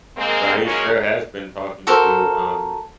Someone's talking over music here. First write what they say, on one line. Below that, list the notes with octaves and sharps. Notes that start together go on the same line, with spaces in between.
Well, he sure has been talking to, um
G#3 A#3 C4
C#3 F#3 G#3 A#3 C#4
F#4 A4 A#4 C5